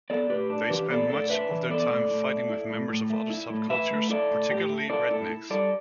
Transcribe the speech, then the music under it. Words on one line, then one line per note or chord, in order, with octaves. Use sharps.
They spend much of their time fighting with members of other subcultures, particularly rednecks.
B3 A4 D5
A2 G4 B4
D4
E3 G4 B4
B3 A4 D5
A2 A4 D5
D4 B4 E5
E3
B3 A4 D5
A2
A2
A3
E4
A2
A2
A3
E4
A2
A2 B4 E5
A3
E4 A4 D5
A2
A2 G4
A3
E4 A4 D5
A2 E4 A4
E4
G3 A4 D5